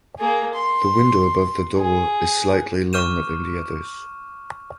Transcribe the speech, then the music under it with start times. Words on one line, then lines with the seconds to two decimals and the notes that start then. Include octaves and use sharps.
The window above the door is slightly longer than the others.
0.19 A#3 G#4
0.54 C6
1.77 G#4
2.93 C#6 D6 F6 G6 D#7 E7